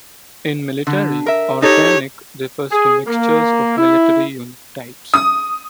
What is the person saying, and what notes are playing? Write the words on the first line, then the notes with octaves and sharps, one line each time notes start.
In military, "organic" refers to mixtures of military unit types.
D3
A#4 E5
D#4 G4 A4 C#5
G#4
A#3
E4
D#6